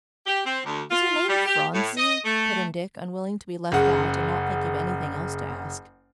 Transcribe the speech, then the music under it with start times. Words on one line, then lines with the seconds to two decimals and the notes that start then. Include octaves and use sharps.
"Is her name Phronsie," put in Dick, unwilling to be left out, and not thinking of anything else to ask.
0.26 G4
0.44 C4
0.64 D2
0.89 F4
1.27 G3
1.45 G4
1.73 A2
1.97 D#5
2.24 A3
3.72 F#1 C#3 F#5